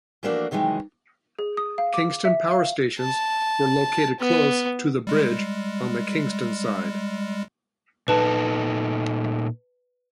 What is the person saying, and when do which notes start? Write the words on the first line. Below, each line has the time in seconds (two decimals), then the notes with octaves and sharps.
Kingston power stations were located close to the bridge on the Kingston side.
0.23 E3 F3 A3 A#3 D4 F#4
0.51 C3 D#3 E3 F#3 G#3
1.39 G#4
1.57 D#6
1.78 F5
1.94 D6
2.25 E5
2.51 F5
3.00 A5
4.20 B3
5.07 G3 G#3
8.08 A#2 D#4 A4 B4 A5